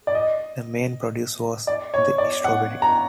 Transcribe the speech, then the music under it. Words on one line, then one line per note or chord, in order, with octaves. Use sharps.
The main produce was the strawberry.
D5
D#5
D5
C#5
D5
F#5
A#5